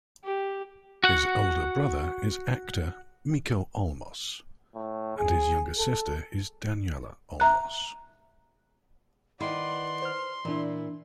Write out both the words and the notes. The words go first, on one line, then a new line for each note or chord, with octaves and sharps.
His older brother is actor Mico Olmos, and his younger sister is Daniela Olmos.
G4
F#4 F#5
A2
G#4
A4
E5 A#5 F#6
D#3 E4 B4 D5 F#5 C6
C5 F6
A#2 E3 D4 E4